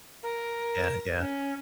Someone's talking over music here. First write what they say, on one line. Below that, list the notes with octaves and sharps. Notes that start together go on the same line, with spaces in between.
yeah, yeah.
A#4
C#4